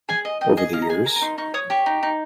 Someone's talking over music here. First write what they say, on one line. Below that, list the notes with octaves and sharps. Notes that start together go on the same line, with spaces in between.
Over the years.
G#4 G#5
D#5
D#5 G5
G#4 D#5
D#5 F5
A#5
G#4 G#5
A#4 A#5
A#5
D#4 C6
D#4 C#6
C#5 D#6
G4 C#6
D#4
D#4